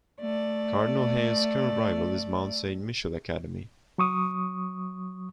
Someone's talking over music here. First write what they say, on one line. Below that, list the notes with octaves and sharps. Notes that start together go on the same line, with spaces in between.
Cardinal Hayes' current rival is Mount Saint Michael Academy.
A3 D5
F#3 C#6 D#6